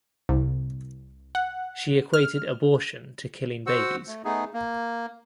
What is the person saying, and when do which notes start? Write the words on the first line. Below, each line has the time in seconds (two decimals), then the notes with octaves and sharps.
She equated abortion to killing babies.
0.29 C2
1.35 F#5
2.14 F6
3.67 F#4 C5 F#5 E6
4.08 A3
4.25 A3 B3 D#4 G#4
4.54 A#3